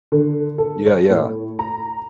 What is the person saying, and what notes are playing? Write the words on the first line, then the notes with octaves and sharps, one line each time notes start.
Yeah, yeah.
D3
A4
C#5
A2
A#5